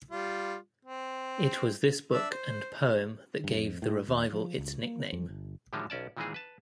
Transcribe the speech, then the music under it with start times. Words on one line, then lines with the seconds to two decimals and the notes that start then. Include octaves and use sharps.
It was this book and poem that gave the revival its nickname.
0.11 G3 F4
0.85 C4
2.12 D4 E5
2.31 C5
3.44 G2
3.57 F2
3.82 A2
4.07 D#2
4.32 F3
4.58 C#2
4.83 A#3
5.12 F2
5.29 G1
5.73 A2 D3 D#3 F3 G3 G#3
5.90 B1 C#4 D5 A5
6.17 A#2 D#3 E3 G#3 C4 G#4
6.34 B4 A5